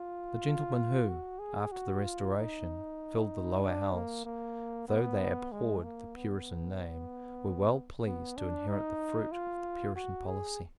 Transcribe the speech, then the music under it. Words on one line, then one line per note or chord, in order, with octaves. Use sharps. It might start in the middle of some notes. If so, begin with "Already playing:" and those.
The gentlemen who, after the Restoration, filled the Lower House, though they abhorred the Puritan name, were well pleased to inherit the fruit of the Puritan policy.
Already playing: F4
F#4
G#4
F#4
F4
D#4
D4
A#3
A#3
B3
G#3
A#3
B3
B3
D4
D#4
F4
F#4
G#4